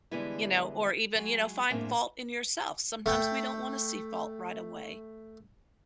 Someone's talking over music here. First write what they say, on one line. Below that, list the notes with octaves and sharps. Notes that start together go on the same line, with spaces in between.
you know, or even, you know, find fault in yourself. Sometimes we don't wanna see fault right away,
D3 E3 G3 G#3 B3 E4
F#3 G#3
F#2 A2 G#3 A#3 C4 D4
A3 G5